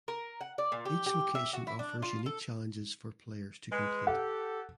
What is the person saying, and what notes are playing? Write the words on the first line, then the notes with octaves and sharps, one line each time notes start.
Each location offers unique challenges for players to complete.
A#4
F#5
D5
A#2
G4
G4
E5
F#4
E4
D4
F4
A4
G#3 B4
G4 A4 F#5